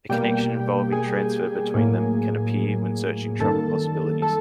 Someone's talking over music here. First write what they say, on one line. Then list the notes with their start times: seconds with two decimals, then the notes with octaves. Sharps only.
A connection involving transfer between them can appear when searching travel possibilities.
0.09 B2 G3 A#3 G4 G5
0.92 G#4 G#5
1.74 A2 F#3 A#3
3.39 F#2 D#3 G3 A#3 A4 A5
4.22 A4 A5